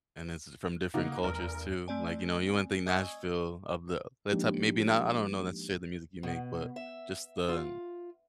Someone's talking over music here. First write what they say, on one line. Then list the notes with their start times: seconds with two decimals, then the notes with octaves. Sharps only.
And this is from different cultures too, like, you know, you wouldn't think Nashville of the that's how maybe not I don't know not to share the music you make, but just the n
0.94 C#3 A#3 D#4 F#4
1.23 F1 E2 A#4
1.88 A3 C4 D5 G#5
2.86 D#5 G#5 C#6 D#6 E6 G#6
4.32 F3 G#3 A#3 D4 D#4 G4
6.23 B2
6.76 E5
7.49 F4